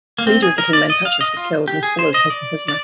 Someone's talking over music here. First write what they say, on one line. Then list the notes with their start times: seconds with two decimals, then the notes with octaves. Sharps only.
The leader of the king-men, Pachus, was killed and his followers were taken prisoner.
0.18 A#3
0.27 C4
0.42 G#4
0.58 A#4
0.73 D5
0.90 D#5
1.05 F5
1.21 D#5
1.37 F4
1.68 G4
1.83 G#4
1.99 C5
2.14 D#5
2.30 D5
2.68 D5